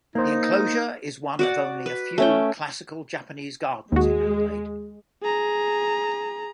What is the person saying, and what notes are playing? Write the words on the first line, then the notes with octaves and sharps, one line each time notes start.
The enclosure is one of only a few classical Japanese gardens in Adelaide.
A#3 D#4 C5
F#4 D5 F#5
B4
A3 C#4 G5
D#2 G#3 F#4
G#4 A#5